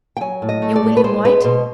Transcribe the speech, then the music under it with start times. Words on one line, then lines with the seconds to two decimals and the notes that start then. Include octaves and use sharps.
"You're William White?"
0.17 G5
0.21 F#3 G#5
0.42 A2
0.49 D#5
0.62 A3
0.76 D5
0.83 A2
0.97 B4
1.04 G#3 C5
1.25 G#3 B4
1.44 B2 C5